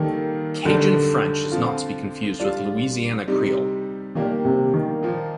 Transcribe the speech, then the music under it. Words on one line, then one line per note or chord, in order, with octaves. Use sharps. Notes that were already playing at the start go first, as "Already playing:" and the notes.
Cajun French is not to be confused with Louisiana Creole.
Already playing: D#3 G3 A#3 D#4 A4
F2 D3 D#3 G3 D4 A4
F3 C4 F4
G3 D4 F4
C3 G3 C4 D#4
A#2 D#3 G3 A#3 D4 G4
C3
D#3
A#2 F3 A#3 D#4